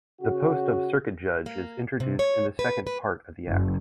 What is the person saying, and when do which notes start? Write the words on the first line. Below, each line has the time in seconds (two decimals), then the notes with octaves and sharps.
The post of circuit judge is introduced in the second part of the Act.
0.21 C#3 F#4
1.46 A#3
2.00 C3
2.19 C#5
2.59 B4
2.87 B4
3.48 F#1